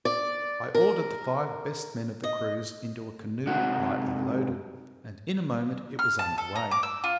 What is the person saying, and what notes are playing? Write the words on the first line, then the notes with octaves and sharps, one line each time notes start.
I ordered the five best men of the crews into a canoe lightly loaded; and in a moment it was under way.
D5
A#4
D#5
C3 G#3 D#4 F#4 F#5
F6
A5
A4
A#5
D6
E6
F4